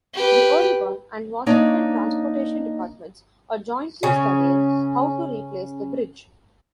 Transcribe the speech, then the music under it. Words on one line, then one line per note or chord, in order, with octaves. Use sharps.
The Oregon and Washington transportation departments are jointly studying how to replace the bridge.
G4 B4
A#3 D4 D#4 C#5 D#5
C#3 C#4